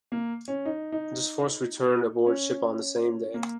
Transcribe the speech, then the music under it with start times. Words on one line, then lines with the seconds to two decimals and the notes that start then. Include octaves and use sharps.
This force returned aboard ship on the same day.
0.12 A#3
0.48 C#4
0.66 D#4
0.92 D#4
2.27 C#4
3.34 A#3